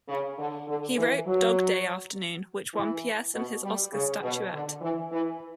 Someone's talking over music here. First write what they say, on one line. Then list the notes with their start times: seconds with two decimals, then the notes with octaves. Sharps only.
He wrote "Dog Day Afternoon", which won Pierson his Oscar statuette.
0.08 C#3
0.38 D3
0.68 D3
0.98 E3
1.27 F#3
2.74 E3
3.34 B2
3.63 G3
3.93 C#3
4.22 B2
4.52 D3
4.81 E3
5.11 E3